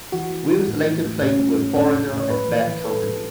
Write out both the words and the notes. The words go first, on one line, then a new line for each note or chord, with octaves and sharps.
Wills later played with Foreigner and Bad Company.
E3 F#4
E3
E3
A2
E3
A2
A2 C#4
A2
A2
A2 C#4
A2
A2
C#5
A2 B4
E3
E3
A2 A4
A2